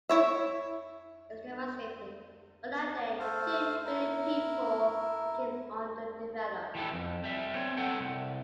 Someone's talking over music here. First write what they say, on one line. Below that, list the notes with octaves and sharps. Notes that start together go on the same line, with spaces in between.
Esteva stated: On that day two billion people became underdeveloped.
E4 C#5 E5
A3 A4 C5 F5
E4 A#4
E3 G4 A4
F2
G3 E5
C4 C#5
A4 F#5 G5
C2